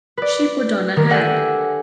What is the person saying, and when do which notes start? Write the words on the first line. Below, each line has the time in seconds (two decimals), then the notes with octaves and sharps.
She put on a hat.
0.17 B4 D5
0.96 D#3 D4 A#4
1.10 G4 A4 D5 E5 F#5 G#5